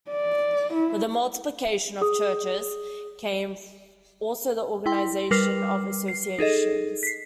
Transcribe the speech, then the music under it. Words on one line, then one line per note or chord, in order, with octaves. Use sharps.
With the multiplication of churches came also the organization of associations.
D5
E4
G#4 D#6
E4 G5 C6
G3 A#4 B4 D6 F6 C7
C7
D#4 G#4 A4 D#5
B6 C7